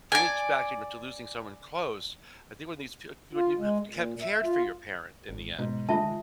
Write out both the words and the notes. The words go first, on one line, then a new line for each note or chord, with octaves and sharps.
bring it t back to m to losing someone close, I think when these p when you have kept cared for your parent in the end,
D5 G#5
F4
G#3
A#2
E5
F4
G#1
G#2 B2
D3 D#3 G#3 F4 E5 A5